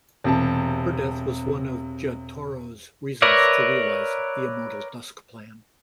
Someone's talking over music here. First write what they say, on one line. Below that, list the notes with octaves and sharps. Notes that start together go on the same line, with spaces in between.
Her death was one of Jyotaro's reasons to realise the Immortal Dusk plan.
E1 C3 A5
A#4 B4 C#5 D5 E5